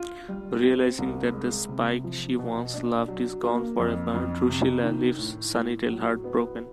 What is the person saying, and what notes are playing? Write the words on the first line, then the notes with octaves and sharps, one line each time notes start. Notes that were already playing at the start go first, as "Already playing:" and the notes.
Realizing that the Spike she once loved is gone forever, Drusilla leaves Sunnydale heartbroken.
Already playing: F4
G3
C4
C2
G#3
C3
F3
B2
D4
F#3
A#3
F2
F2
C3
D#3
A2
A2
F#3
B3